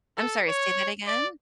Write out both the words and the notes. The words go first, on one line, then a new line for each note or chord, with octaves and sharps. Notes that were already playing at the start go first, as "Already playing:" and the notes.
I'm sorry, say that again?
A4
C#5
D5